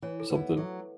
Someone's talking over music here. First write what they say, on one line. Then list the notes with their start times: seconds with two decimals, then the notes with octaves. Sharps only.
or something?
0.02 E3 C#5
0.20 A4
0.30 B3 E4 B4
0.56 F#3 A4